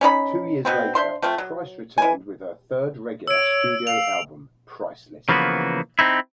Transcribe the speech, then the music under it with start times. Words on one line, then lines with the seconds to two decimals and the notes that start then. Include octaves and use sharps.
Two years later, Price returned with her third regular studio album, "Priceless".
0.01 C#4 D#4 D5 B5
0.65 B2 B3 C4
0.95 D4 C5 E5 C6
1.22 F3 A3 C4
1.38 F#3
1.98 E3 G#5
3.27 C#5 E6 D7
3.87 F5 F7
5.29 C#3 E3 F3 A#3 B3 F#4
5.99 C4 D#4 E4